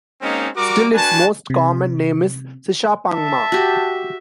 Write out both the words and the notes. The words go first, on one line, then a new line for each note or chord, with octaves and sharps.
Still, its most common name is Shishapangma.
G#3 A#3 C4 C#4 D#4
G3 F#4 A#4 D6
D4 F#4 B4 G#5 A5
C3
E5 A5
F#4 G4